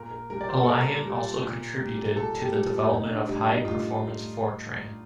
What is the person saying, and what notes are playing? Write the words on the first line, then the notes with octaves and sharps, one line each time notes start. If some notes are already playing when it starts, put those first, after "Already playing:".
Alliant also contributed to the development of High Performance Fortran.
Already playing: A#2 A#4
A#4
G3 A#4
D5
C5
A4
A#2 A#4
G3
A#2
G3
A#2 A4
G4
G3
A2 D#4
D4
G3 D4
D#4
A2 F4